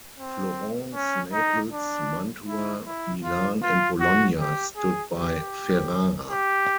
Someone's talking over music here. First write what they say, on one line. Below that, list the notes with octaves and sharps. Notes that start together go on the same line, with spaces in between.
Florence, Naples, Mantua, Milan, and Bologna stood by Ferrara.
C4
C#4
D#4
D4
E4
E4
F4
F4
F#4
G4
G#4
G4
G4